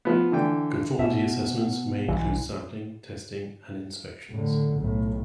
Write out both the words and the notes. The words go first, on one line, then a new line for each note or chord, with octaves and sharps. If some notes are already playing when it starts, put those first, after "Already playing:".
Conformity assessments may include sampling, testing, and inspections.
F3 B3
D3 E3 G5
B2 E5
B1 E3
A2 D3
B1 A2